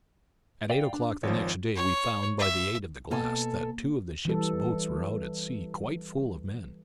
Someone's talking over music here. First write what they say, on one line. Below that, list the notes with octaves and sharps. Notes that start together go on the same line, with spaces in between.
At eight o'clock the next day we found, by the aid of the glass, that two of the ship's boats were out at sea, quite full of men.
D5 F5 G5
D4
G#1 F3 C#5
C#5
E5
B2 A#3 A4 G#5
E3 G3 A4